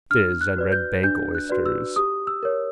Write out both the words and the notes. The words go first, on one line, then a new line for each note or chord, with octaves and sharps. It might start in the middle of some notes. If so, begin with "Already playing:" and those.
Fizz and Red bank oysters.
D4 F6
F#6
F#4 B4 D5
G6
D4 G6
F#6
F#4 B4 D5
E6
G4 D#6
E6
A#4 C#5